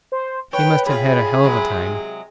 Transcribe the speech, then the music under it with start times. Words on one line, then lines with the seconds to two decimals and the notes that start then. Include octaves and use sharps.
He must have had a hell of a time.
0.12 C5
0.53 B4 C#5 G5
0.86 A2 F4 G#4 B5
1.44 C3 F#3 G#3